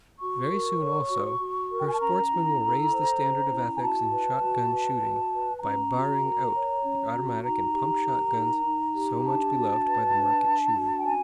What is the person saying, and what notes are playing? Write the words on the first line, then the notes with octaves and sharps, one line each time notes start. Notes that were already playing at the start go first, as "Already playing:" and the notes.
Very soon, also, her sportsmen will raise the standard of ethics in shotgun shooting, by barring out the automatic and pump shotguns so much beloved by the market shooters.
F#4 C#6
A#4
C#5
F#4
F#4
A#4
G5
G#5
A5
C#4 A#5
E4
A4
C5
C#4
E4
G#5
F#4 A5
B4
F#4
B4
F#4
B4
A5
C#4 A#5
F#4
A#4
C#5
C#4
F#4
D#4 A#5
G4
A#4
D#4
D#4
G4
D4 A5
F#4
B4
D4
D4
F#4
G5
C#4 G#5